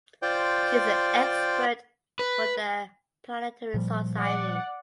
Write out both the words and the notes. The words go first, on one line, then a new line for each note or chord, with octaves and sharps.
She is an expert for The Planetary Society.
F4 C5 D5 G5
B4
A#2 F3 G3
D5 F#5